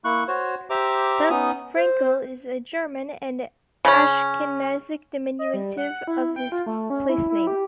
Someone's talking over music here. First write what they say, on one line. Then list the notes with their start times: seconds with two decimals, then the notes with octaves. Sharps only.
Thus Frankel is a German and Ashkenazic diminutive of this placename.
0.04 A#3 E4 C#6 F#6
0.28 F#4 C5 C#5
0.70 G4 C5 E5 A#5 D6
1.30 B3 C#4 D#4 D#6
1.75 C5
3.85 C#3 C#4
5.39 D#5
5.54 G3
5.77 F#5
6.07 E4
6.36 G5
6.52 F4
6.66 A3
6.90 C#4
7.09 E4
7.30 E4
7.47 G4